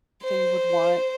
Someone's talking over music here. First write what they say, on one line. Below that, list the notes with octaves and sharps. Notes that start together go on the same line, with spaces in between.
that you would want?
C5